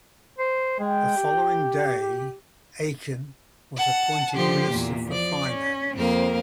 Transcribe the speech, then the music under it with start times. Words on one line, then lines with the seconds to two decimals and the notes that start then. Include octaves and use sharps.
The following day, Aiken was appointed Minister for Finance.
0.38 C5
0.79 G#3 G5
1.17 G4
3.76 F#5 A5
4.33 D3 F3 G4 C6
4.66 E2 A#2
5.09 F3 D5
5.46 C#4
5.96 F2 A#3 C4 A#4 F5